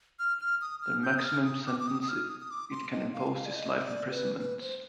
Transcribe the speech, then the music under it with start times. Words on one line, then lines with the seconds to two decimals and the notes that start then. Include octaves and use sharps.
The maximum sentence it can impose is life imprisonment.
0.19 F6
0.40 F6
0.61 D#6
0.82 F6
1.03 G6
1.17 D#6
1.24 F6
1.45 D#6
1.66 D6
1.80 D6
1.87 D#6
2.02 D#6
2.09 F6
2.29 D#6
2.40 D#6
2.51 D6
2.71 C6
2.92 D#5
3.13 F5
3.35 F5
3.46 D5
3.56 D#5
3.77 D#5
3.84 D5
4.11 B4
4.39 B4
4.60 C5